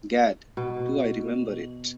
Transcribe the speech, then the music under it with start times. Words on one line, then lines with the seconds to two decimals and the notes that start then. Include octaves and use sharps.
Gad, do I remember it.
0.57 B2